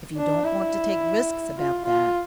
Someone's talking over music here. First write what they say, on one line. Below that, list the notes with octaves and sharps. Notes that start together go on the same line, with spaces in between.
If you don't want to take risks about that--...
D4
E4
F4
F4